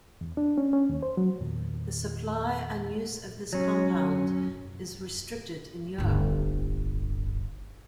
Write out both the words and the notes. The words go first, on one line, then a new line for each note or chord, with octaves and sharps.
The supply and use of this compound is restricted in Europe.
E2
D4
C#4
C#4
D#2
C5
F#3
E2 A#2 D#3
F#3 C#4
D1 G1